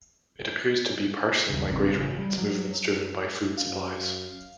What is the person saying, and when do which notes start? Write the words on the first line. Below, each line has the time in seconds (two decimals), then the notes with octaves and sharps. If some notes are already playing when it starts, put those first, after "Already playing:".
It appears to be partially migratory, its movements driven by food supplies.
1.49 D#2 C#3
1.70 G#1 G2 C#3 C4
1.95 A1 C#3
2.18 G3
2.38 F#3
3.58 F#2 F5